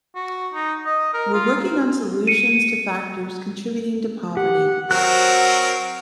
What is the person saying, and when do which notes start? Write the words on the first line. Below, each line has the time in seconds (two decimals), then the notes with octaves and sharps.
We're working on solutions to factors contributing to poverty.
0.16 F#4
0.54 D#4
0.86 D#5
1.14 A#4
1.34 F4
2.27 C#7 D#7
4.37 G4 F#5
4.91 F#3 C4 F#4 A#4 C5 F#6